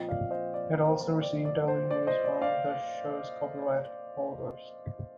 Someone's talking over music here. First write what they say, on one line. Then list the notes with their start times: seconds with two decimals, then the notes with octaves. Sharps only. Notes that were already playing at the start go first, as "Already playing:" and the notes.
It also received early news from the show's copyright holders.
Already playing: A#2 F3 C4 D#5 G5
0.08 D5 F5
0.31 C5 D#5
0.54 D5
0.88 C5
1.22 D5
1.45 D5
1.68 C5
1.91 D5
2.07 C5 D#5
2.24 D5
2.42 D5 F5